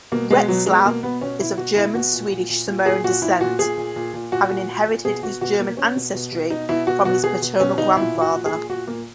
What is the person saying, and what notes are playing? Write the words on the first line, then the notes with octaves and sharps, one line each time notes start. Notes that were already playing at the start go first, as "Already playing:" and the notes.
Retzlaff is of German-Swedish-Samoan descent, having inherited his German ancestry from his paternal grandfather.
B2 A#3
B2 G#3
B2 F#3
B2 G#3
B2 A#3
B2 B3
B2 C#4
B2 E4
B2 F#4
B2 E4
B2 F#4
A#2
A#2
A#2
A#2
A#2 G#4
A#2 F#4
A#2 E4
A#2 F#4
A#2 G#4
A#2
A#2
A#2
A#2 F#4
A#2
A#2
A#2
B2 G#4
B2 F#4
B2 F#4
B2 A#3
B2 C#4
B2
B2
B2
B2 D#4
B2 E4
B2 F#4
B2 F#4
B2 G#4
B2
B2 C#4
B2 D#4
A#2 E4
A#2
F#4
A#2
G#4
A#2
A#2 F#4
A#2 A#3